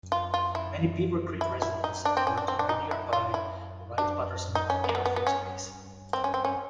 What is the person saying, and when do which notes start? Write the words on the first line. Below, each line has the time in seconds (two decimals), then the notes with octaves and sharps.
Many Beavercreek residents work on the nearby Wright-Patterson Air Force Base.
0.12 F4
0.34 F4
0.55 E4
1.41 E4
1.62 E4
1.84 D#4
2.05 D4
2.17 C4
2.27 C#4
2.38 D4
2.48 C4
2.59 D4
2.69 D#4
2.91 E4
3.13 F4
3.34 E4
3.98 D4
4.55 D#4
4.70 C#4
4.84 B3
4.89 A#3
4.95 B3
5.06 B3
5.16 B3
5.27 C#4
6.13 C4
6.24 C#4
6.34 C4
6.45 C#4